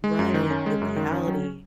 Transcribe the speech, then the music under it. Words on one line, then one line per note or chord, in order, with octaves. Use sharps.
Right. The reality
G#3
F#2
D#3
C#4
G#3
F#2
D#3
C#4
F#3